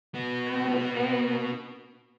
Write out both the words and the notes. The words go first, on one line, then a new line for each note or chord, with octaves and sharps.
Uh, same.
B3 F#4